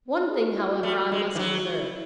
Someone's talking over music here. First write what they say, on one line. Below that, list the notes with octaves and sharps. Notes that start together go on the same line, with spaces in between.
One thing, however, I must observe.
G#4
F#4
E4
F#4
A3
G#3
E3
F#3 G#4
F#4
E4